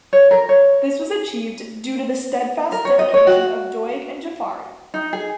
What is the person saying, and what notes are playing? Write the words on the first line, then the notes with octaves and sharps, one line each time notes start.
This was achieved due to the steadfast dedication of Doig and Jaffari.
C#5
A#4
C#5
A#4
C#5
D#5
C#5
F#4
D#4
G#4